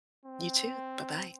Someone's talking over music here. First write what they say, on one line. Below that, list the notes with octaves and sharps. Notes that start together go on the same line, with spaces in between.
You too. Bye-bye.
C4